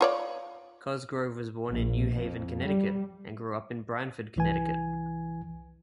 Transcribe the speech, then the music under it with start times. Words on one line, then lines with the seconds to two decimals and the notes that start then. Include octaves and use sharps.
Cosgrove was born in New Haven, Connecticut and grew up in Branford, Connecticut.
0.01 F4 C#5 D5
1.69 A#1
2.17 F2
2.61 G3
4.36 C2 E3 G#5